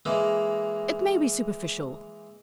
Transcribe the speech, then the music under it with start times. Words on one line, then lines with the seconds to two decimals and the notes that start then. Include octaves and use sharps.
'It may be superficial.
0.05 E3 G#3 A#3